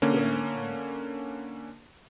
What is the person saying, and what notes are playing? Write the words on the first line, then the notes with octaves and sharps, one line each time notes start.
Right, right.
D3 A#3 C#4